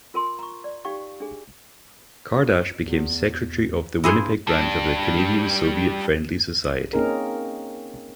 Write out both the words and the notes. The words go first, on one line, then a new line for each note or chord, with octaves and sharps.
Kardash became secretary of the Winnipeg branch of the Canadian-Soviet Friendly Society.
F4 A#4 G#5 C6
A#5 C#6
D5
D#4 G4 F5 G5 C#6
D4 G#4
E2
G2 E4 G#4 C5
G3 D4
A#3 C4 C#4 D#4 G#4 A#4